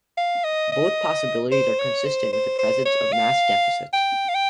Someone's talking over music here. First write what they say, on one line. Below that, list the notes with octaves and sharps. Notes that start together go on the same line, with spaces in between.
Both possibilities are consistent with the presence of mass deficits.
F5
D#5
D#5
C5
C#5
C5
C5
C5
C#5
F5
G5
F5
G5